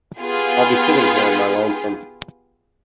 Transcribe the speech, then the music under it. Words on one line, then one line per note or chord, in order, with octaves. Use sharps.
I'll be sitting here in my lonesome.
B3 F4 G4 G#4